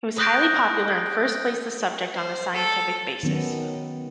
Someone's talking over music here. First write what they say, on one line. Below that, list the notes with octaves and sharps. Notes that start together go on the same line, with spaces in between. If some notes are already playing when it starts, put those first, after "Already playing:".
It was highly popular and first placed the subject on a scientific basis.
D#6 F#6 G6 A#6 D7
C5
A4
D#3 F#3 B3 C#4